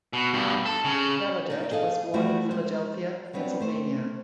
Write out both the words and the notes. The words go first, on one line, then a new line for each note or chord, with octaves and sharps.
Gallaudet was born in Philadelphia, Pennsylvania.
B2
G2 B2
A4
C#3
A#3 D#4 A#4
G#4 A4 D#5 F5
F3 G3 A3 E4 F#4
G#3 C5
F#3 G3 B3 C4 D4
A3 C5